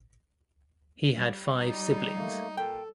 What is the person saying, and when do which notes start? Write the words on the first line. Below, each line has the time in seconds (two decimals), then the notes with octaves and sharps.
He had five siblings.
1.19 G3
1.61 D#4
2.15 A3 A#3
2.57 A#2 A4 G5